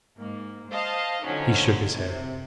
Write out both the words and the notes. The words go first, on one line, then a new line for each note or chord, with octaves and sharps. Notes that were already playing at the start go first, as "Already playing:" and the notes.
He shook his head.
G#2 A#3
C5 D#5 F5 A5
D3 F3 F#3 C#4 D#4
C3